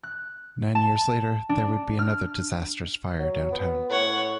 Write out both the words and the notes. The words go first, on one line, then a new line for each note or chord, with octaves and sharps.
Nine years later there would be another disastrous fire downtown.
F#6
A5
D4
F6
F#3
B3
A2 C#5 F#5